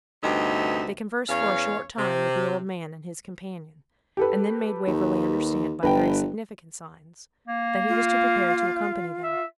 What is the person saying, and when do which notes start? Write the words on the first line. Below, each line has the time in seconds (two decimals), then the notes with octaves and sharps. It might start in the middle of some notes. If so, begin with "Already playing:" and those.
They conversed for a short time with the old man and his companion, and then made Waverley understand, by very significant signs, that he was to prepare to accompany them.
0.23 D2 G2 C3 B3 D#4 E5
1.29 E2 C#4 C#5 F5
1.98 C3
4.17 G4 A4 B4
4.87 D#2
5.83 G1 B4 G5
7.47 A#3
7.89 F4
9.23 E5